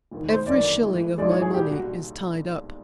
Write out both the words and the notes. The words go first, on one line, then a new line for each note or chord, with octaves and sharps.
Every shilling of my money is tied up.
E1 D#2 D#3
C5
G1 F#2 D#3 F#3 A#3 D5
A2 E3 G#3
A#1 G#2 E3 G#3 D5
C#5
G#4
B1 A#2 G3 G4
F#4